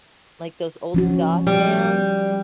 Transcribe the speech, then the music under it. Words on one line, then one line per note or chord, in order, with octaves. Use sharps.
like those old goth bands.
F3 C#4 F#4
G3